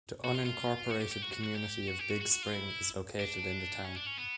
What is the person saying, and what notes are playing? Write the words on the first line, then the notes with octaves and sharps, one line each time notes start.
The unincorporated community of Big Spring is located in the town.
F#4
F4
F4
F#4
G4
G4
F#4
F#4
F#4
G4
F#4
G4
F#4
F#4
F#4
F4
E4
D4
C#4
D4
C#4
B3